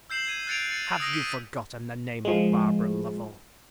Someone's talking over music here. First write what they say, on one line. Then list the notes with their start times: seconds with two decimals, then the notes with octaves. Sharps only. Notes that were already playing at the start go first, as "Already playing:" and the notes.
"Have you forgotten the name of Barbara Lovel?"
0.10 E6 G6 C7 E7 F#7
0.27 G#6 D#7
0.47 F#6 G#6 A6 C#7 D7 F7
0.70 A6 C#7 D#7
1.00 D#6 E6 A#6 C7 D7
1.13 B6 C#7 D#7 G7
2.25 F3 G#3